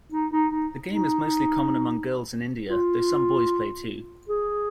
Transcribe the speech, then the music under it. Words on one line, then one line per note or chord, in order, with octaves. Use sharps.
The game is mostly common among girls in India, though some boys play too.
D#4
D#4
D#4
D#4
F4
G#4